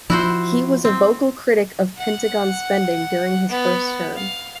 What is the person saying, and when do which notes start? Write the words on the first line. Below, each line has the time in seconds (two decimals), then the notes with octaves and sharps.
He was a vocal critic of Pentagon spending during his first term.
0.10 F3 E4 F#4 C5
0.85 C4
1.98 F#5
3.49 B3
4.15 F5